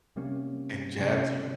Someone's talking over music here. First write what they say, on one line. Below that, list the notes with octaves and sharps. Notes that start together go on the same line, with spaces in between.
And jabs you.
C3 G3 A#3 C#4
C3 G3 C#4